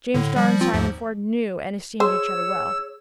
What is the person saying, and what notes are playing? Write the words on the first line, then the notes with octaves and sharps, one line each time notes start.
James Starr and Simon Ford knew and esteemed each other well.
A2 D3
F3 G3
F3 C4 F4
D#2 G#2 F3
G#4 C5 C#5 E6